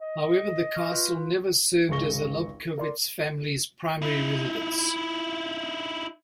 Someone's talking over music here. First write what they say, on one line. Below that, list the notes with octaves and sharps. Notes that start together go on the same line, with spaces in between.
However, the castle never served as the Lobkowicz family’s primary residence.
D#5
C#6 F6 A#6
F4 B4
G#1 C#2 G#3 C#6 A#6 G7
A#4 D5 C6
D#4 E4